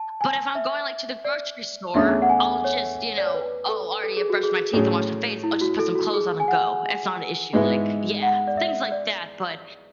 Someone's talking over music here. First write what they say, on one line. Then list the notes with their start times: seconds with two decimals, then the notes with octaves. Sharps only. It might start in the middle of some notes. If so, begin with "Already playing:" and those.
But, if I'm going, like, to the grocery store, I'll just, you know Oh, already I brushed my teeth, and wash my face, I'll just put some clothes on and go, it's not an issue, like yeah, things like that, but
Already playing: A5
0.21 G#5
0.55 E5
1.25 D5
1.94 E2 D3 A3 C#4 G#4 E5
2.22 F#5
2.30 G#5
2.64 C#5
3.18 D5
3.26 C#5
3.34 B4
3.69 A4
4.04 A4
4.17 G#4
4.30 F#4
4.43 G#4
4.73 A2 F#3 C#4 G#4
5.44 E4
5.61 F#4
5.79 A4
5.95 F#4
6.14 G#4
6.40 G#5
6.48 F#5
7.53 G#2 G#3 B3 E4
8.23 F#5
8.47 D5
8.57 E5
8.92 D5